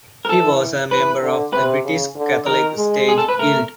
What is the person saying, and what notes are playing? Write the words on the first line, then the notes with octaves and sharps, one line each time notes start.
He was a member of the British Catholic Stage Guild.
A#4
E3 A4
E3 B4
D3
C3 B4
C#3
D3
D#3 A#4
G#3
G#4
A4
B4
A3 A#4